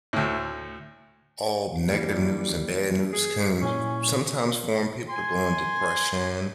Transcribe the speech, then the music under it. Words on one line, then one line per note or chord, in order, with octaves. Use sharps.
all negative news and bad news can s sometimes form people to go in depression.
D2 A2
E3 G3 A#3
G#4
A#2 C#4 E4 G#5
G#5 C6